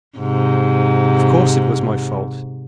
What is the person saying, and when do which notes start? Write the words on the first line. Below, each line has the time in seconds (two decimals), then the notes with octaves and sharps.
Of course it was my fault.
0.18 G#2 C3